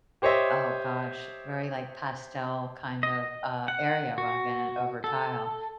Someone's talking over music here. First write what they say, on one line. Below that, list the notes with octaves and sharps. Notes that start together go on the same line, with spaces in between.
oh gosh, very, like, pastel kind of, uh, area rug in it over tile.
G4 C5 C#5 D#5 E5
D#5
F#5
F#4
A4